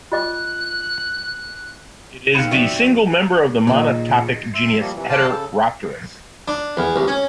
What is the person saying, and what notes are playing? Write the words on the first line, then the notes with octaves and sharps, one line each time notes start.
It is the single member of the monotypic genus "Heteropterus".
F4 D#5 D6 F#6
D#3 C4 F5 G5 B5 F#6 C#7
C2 F#2 F3 F#4 D5 E5
F2
A#2 D#3 F#3 G#3
E5 C6
F3 G3 A#3
C3 E3
C5 D5 F5 G5 A5
C#3 A4
D4
E2
C2
C#4